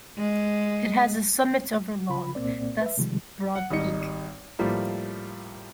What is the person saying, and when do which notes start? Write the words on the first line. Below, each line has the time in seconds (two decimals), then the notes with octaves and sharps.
It has a summit over long, thus "Broad Peak".
0.17 G#3
2.09 C#3 F4 B5
2.35 C2 A#2 A#3 C4 D5
2.82 B4 E5
2.97 C3 D#3 F3 G3 G#3
3.55 F#5
3.71 G#1 G3 D#4 C#7
4.59 A2 F3 G3 A#3